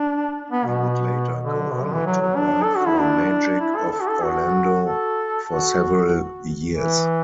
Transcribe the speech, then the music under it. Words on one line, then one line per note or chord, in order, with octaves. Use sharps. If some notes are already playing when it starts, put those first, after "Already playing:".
He would later go on to write for Magic of Orlando for several years.
Already playing: D4
B3
B2
D3
B2
D3
E3
F#3
F#3
D4
A4
F#4
E4
D4
E4
A4
A4
F#4
A4
F#4
A4
F#4
E3